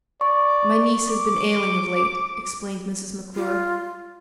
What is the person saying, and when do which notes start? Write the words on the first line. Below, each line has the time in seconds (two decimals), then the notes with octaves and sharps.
"My niece has been ailing of late," explained Mrs. McClure.
0.21 D5 C#6
1.08 D6
3.36 F4